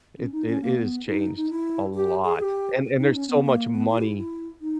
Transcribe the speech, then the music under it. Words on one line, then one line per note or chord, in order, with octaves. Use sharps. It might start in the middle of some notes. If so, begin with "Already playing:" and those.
it it it has changed a lot, and and there's so much money
C#4
D#4
C#4
A#3
B3
D#4
D#4
E4
G4
G#4
G4
D#4
C#4
B3
A#3
B3
E4
G4
E4
E4
D#4